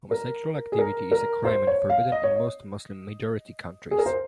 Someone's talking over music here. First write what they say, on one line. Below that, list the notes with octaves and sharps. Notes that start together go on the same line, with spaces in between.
Homosexual activity is a crime and forbidden in most Muslim-majority countries.
A#4
G#4
A#4
A#4
C5
C#5
F5
D#5
C#5
D#5
G#4
A#4
C5